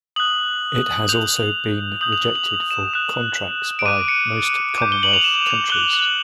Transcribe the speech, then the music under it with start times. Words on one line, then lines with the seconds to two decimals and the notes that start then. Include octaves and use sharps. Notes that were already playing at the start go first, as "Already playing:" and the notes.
It has also been rejected for contracts by most Commonwealth countries.
0.16 D#6 F#6 F#7
1.09 D#6 G6 F7
2.01 D#6 G6 F#7
2.12 F7
2.24 F#7
2.36 F#7
2.71 E7
2.93 D#6 F#6 E7
3.79 D7
3.86 D6 F#6 D#7
4.08 C#7
4.78 D6 G6
4.92 G7
5.03 F#7
5.13 F7
5.24 E7
5.47 F7
5.70 D6 F#6 G7
5.93 F#7